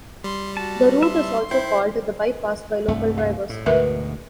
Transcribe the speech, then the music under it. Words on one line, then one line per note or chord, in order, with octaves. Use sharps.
The route is also called "the bypass" by local drivers.
G3 C6
F#4 A5
E5 A5 C6
E4 C5 G5
C2 G2 A3
F5
A2
D2 G#2 B2 A#4 B4 E5